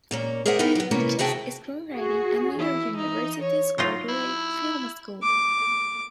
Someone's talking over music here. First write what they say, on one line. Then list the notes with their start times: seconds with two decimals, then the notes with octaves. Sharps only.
He teaches screenwriting at New York University's Graduate Film School.
0.11 A#2 A#3 C#4
0.45 G#4 A#4 C5 D5 E5 F#5
0.59 B3 D#4 E4 G4 A#4 B4
0.75 F#3 B3
0.91 C3 E3 A#3 B3 C#4
1.19 C3 F#4 G#4 E5 G5 A5
1.92 F#4 G#4
2.59 E3 E4
2.96 D#4
3.41 C#5
3.78 F#3 D#4 F4
4.09 E4
5.23 D6